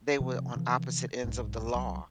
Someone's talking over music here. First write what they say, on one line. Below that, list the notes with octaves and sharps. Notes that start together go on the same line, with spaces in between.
they were on opposite ends of the law.
C3 F3
C3 E3 F3
B1 G#2
C2 F#3